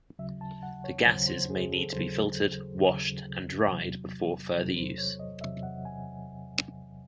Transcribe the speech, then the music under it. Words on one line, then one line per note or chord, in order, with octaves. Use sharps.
The gases may need to be filtered, washed and dried before further use.
D#2 C#3 F#3 E5
A5
F#5
C#5
D#2 C#3 F#3 C5
C5
G#4
A4
D#2 C#3 F#3 C5
D#2 C#3 F#3
E2 C3 F#3
E2 C3 F#3 A4
C5
C#5
D#5
E2 C3 F#3 E5
F#5
G#5